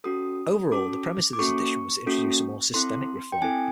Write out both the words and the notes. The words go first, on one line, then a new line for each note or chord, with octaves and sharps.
Overall, the premise of this addition was to introduce a more systemic reform.
C#4 F#4 A4 D#6
C#4 F#4 A4 D6
D6
A#3 C#4 F#4 A4 C#6
A#3 C#4 F#4 A4
C4 E4 A4 C6
G5
C4 E4 A4 G#5